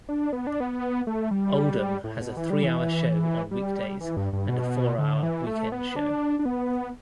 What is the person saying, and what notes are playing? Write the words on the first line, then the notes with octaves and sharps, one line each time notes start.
Oldham has a three-hour show on weekdays and a four-hour weekend show.
D4
B3
D4
B3
A3
G3
A2
B2
E3
G3
E3
G3
E3
G2
G2
B2
D3
E3
A3
B3
D4
D4
B3